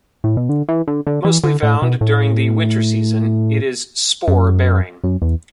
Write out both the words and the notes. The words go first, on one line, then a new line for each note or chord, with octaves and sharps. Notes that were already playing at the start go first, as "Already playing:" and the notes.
Mostly found during the winter season, it is spore bearing.
A2
B2
D3
E3
D3
D3
E3
D3
A2
B2
A2
F#2
F#2
E2